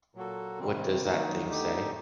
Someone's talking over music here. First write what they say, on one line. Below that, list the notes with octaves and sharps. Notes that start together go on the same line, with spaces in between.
What does that thing say?
A#2 F#3 A#3 F#4 A4
C3 D#3 G3 C4
D#3 F#3 A#3 D#4
D3 A3 D#4 G4